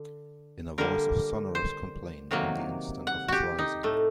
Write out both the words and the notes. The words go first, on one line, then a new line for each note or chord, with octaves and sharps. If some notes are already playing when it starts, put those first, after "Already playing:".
In a voice of sonorous complaint on the instant of his rising.
Already playing: D3
D3 G3 A#3 A#4
C5
C3 D#3 F#3 A#3
F#5
F#4 G4
D#4
A2 A3